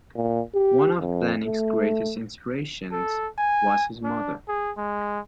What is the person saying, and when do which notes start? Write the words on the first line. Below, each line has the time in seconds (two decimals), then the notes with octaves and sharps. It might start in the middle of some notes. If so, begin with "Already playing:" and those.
One of Blahnik's greatest inspirations was his mother.
0.16 A#2
0.55 G4
1.00 F2
1.46 A3
2.92 A4
3.38 G#5
4.04 D4
4.48 G#4
4.77 G#3